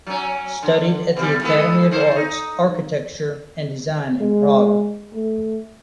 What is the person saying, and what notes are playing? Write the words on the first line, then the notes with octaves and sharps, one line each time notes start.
Studied at the Academy of Arts, Architecture and Design in Prague.
F#3 C#4
D3
B2 G3
G#2 B3 A4
D#3 C5
D#4
G#3
A3